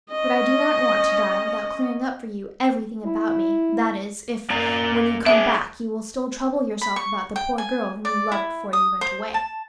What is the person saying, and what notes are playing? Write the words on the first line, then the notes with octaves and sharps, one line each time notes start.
But I do not want to die without clearing up for you everything about me; that is, if, when you come back, you will still trouble yourself about the poor girl whom you loved before you went away.
C#4 D#5
E4
F#2 A#3 D5 A#5
D4 G#4 E5
B5
C#6
G5
G#5
D5
E4
D#6
C5
A5